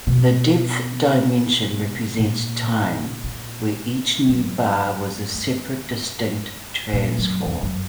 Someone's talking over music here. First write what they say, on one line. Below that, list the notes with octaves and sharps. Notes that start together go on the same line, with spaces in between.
The depth dimension represents time, where each new bar was a separate distinct transform.
B2
A#2
A#2
F#2
G2
A#2
F#2
E2
F#2